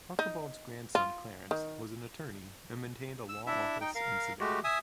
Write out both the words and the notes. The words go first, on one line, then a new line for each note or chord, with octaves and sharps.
Archibald's grandson, Clarance, was an attorney and maintained a law office in Savannah.
D#4
F4
D#3
E6
D4 E4 E5
D#4 G5
A#4 F5
G#3 A3 F#4 G4
E5 G#5 D#6